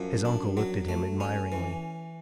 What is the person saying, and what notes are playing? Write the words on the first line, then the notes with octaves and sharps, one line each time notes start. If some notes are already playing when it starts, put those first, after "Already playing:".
His uncle looked at him admiringly.
Already playing: F#2 F3 F#3
D4
F#3
A3
C#4
E3